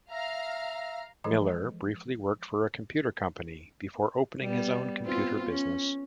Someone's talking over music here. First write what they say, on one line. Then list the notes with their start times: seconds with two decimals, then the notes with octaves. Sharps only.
Miller briefly worked for a computer company before opening his own computer business.
0.11 E5 F5 A#5 F6
1.24 E3 F3 G#3 G#4 A4
4.42 G3 B3
5.05 B3 C4 F4
5.48 C#4